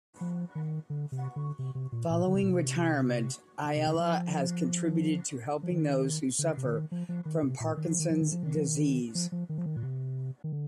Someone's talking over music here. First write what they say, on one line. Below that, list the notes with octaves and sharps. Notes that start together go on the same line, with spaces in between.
Following retirement, Ayala has contributed to helping those who suffer from Parkinson's disease.
F3
D#3
D3
C3
D3
C3
C3
A#2
A#2
D3
C3
A#2
C3
D3
C3
D3
D#3
F3
F3
D#3
D3
C3
D3
D#3
F3
F3
D#3
C3
A#2
D#3
F3
D#3
F3
D#3
F3
D#3
F3
D#3
F3
F3
D#3
F3
D#3
A#2
C3
D#3
D3